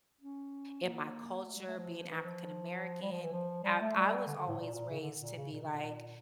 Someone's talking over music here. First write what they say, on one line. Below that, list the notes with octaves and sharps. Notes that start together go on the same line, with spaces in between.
in my culture, being African American, I I was always raised to be, like,
C#4
A#3
A3
G3
A3
F3
E3
F3
G3
F3
E3
F3
G3
A3
G3
D3
D3
A2
A#2
A#2
C#3
D3
A#2
C#3
A#2
C#3
A#2
A#2